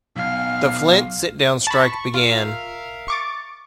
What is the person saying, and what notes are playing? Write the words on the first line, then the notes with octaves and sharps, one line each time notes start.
The Flint sit-down strike began.
B1 F5
A5 B5 C#6
F4 A#4 E5 F5
C#6 D6 A6